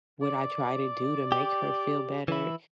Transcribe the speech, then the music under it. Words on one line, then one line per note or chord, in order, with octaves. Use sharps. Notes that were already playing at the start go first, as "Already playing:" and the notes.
what I try to do to make her feel better,
D5
G4
E3 E4